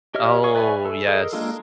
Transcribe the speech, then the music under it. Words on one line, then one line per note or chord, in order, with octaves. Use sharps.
Oh, yes.
G4 C#5 D#5 E5 F6
G#4 C#5 C#6
B4 D5 E5 G#5 B5
A4
G#4 A#4 D#5
G#3 A#3 D4 F4 A4